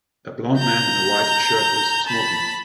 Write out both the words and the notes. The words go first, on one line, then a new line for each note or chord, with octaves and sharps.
A blond man in a white shirt is smoking.
A#5 G6
A5 B5